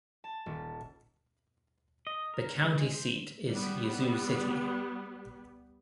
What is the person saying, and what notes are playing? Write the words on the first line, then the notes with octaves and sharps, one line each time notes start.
The county seat is Yazoo City.
A5
D#1
D#5
A#4
G#3
G#3
C5
G3 B3